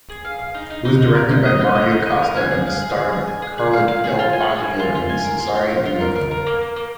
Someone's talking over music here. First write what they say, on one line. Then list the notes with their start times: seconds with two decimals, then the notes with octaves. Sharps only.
It was directed by Mario Costa and starred Carla Del Poggio and Cesare Danova.
0.10 G#4
0.25 F5
0.39 F5
0.55 D#4
0.70 D#4
0.85 D#4
1.00 D#4
1.15 A#4
1.31 D#4
1.45 D#5
1.61 D#4
1.75 D#5
1.91 D#4
2.06 D#5
2.22 A#4
2.37 G#5
2.51 G#4
2.66 F5
2.82 G#4
2.97 G#4
3.13 G#4
3.27 G#5
3.42 G#4
3.58 G#4
3.73 F5
3.88 F5
4.04 G#4
4.19 F4
4.33 G#5
4.49 G#5
4.63 G#5
4.79 F4
4.95 F4
5.09 G#5
5.25 A#4
5.40 F4
5.55 F4
5.70 A#4
5.86 F4
6.00 A#4
6.16 A#4
6.31 A#4
6.46 A#3
6.61 A#3
6.76 A#3